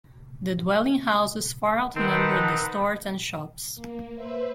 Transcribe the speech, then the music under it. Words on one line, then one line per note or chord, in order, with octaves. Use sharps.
The dwelling houses far outnumbered the stores and shops.
D#3 C4 D#4 B4 F#5 A5
A#3
B4 C5 E5